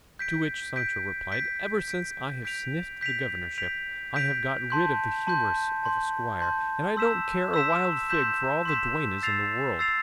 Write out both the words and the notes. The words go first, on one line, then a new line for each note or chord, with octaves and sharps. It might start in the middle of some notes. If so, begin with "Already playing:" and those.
To which Sancho replied, "Ever since I have sniffed the governorship I have got rid of the humours of a squire, and I don't care a wild fig for all the duennas in the world."
G6 B6 D7
G6 B6 D7
G6 B6 D7
G6 B6 D7
G6 B6 D7 F7
G6 B6 D7 F7
G6 B6 D7 F7
G6 B6 D7 F7
A5 C6 G6
A5 C6 G6
A5 C6 G6
A5 C6 G6
C6 E6 G6 B6 E7
C6 E6 G6 B6 E7
C6 E6 G6 B6 E7
C6 E6 G6 B6 E7
E6 A6 C7 F7
E6 A6 C7 F7